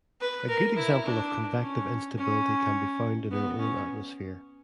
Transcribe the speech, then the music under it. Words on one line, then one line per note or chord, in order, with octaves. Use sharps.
A good example of convective instability can be found in our own atmosphere.
B4
A#4
E4
D4
C#4
C#4
B3
C#4